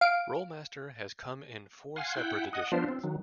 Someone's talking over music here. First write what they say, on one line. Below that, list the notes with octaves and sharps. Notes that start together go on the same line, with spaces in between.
Rolemaster has come in four separate editions.
F5 D7
F5 F#5 G#5 C6
E4 F#5 G5
D#5 F#5
F3 B3 D4 F4 C5
C4
D#3 F#3